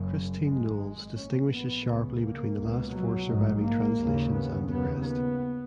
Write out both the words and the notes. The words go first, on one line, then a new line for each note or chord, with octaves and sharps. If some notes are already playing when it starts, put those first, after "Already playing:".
Christine Knowles distinguishes sharply between the last four surviving translations and the rest.
Already playing: F#1 F#2 C#3
G#1 G#2 G#3
A#1 A#2 C#4
B3
C#2 C#3
A#3
C#2 B2
F#3
A#1 G#2
A#3
D#2 C#3
B3
D#2 C#3 B3
B3